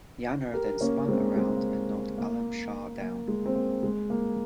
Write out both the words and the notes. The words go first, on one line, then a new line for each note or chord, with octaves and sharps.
Yanuar then spun around and knocked Alam Shah down.
G4 A#4
A#3 C#4
G#3 C4
G#3 C4
A#3
A#3
A#3
G#3
C4
A#3
G#3
A#3